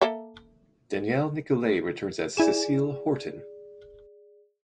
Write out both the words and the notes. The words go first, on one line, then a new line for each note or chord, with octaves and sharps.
Danielle Nicolet returns as Cecile Horton.
A#3 A4 E5
E4 G#4 D5 G#5 E7